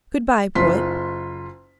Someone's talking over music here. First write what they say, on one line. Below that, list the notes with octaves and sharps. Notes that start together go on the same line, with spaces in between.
Good-bye, poet.
F#1 F4 C6 B6